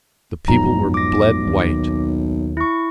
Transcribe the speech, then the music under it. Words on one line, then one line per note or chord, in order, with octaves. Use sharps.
The people were bled white.
B1 F2 G#2 F3 A#5
D6 A#6
D#2
E4 C#6